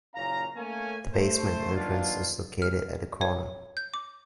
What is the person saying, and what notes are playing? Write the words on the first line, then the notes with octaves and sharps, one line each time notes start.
The basement entrance is located at the corner.
F#1 A#2 C#4 F5 A#5
A3 A#3 C#4 G#5
A3 C5
D#2 B2 A#3 D4 F4
F6
C#5
G6
D6